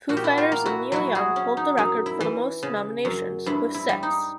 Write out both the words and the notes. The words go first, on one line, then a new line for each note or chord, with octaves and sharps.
Foo Fighters and Neil Young hold the record for the most nominations, with six.
A#2 F#4
G4
E4 F#4
F4 G4
A#3
E4 F#4
F#3 E4 F#4
F#4 G#4
C#4
D#4
F#2 D#4
E4
E3
C#3
F#2
G2 E4
E4
G3
D#4